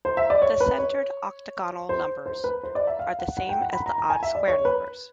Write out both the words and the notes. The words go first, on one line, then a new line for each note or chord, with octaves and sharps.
The centered octagonal numbers are the same as the odd square numbers.
C5
E5
D5
C#5
B4
C#5
C5
C5
B4
C5
D5
E5
F5
F#5
F#5
G5
F#5
B5
A#5
A#5
G#5
E5
D5
C#5
B4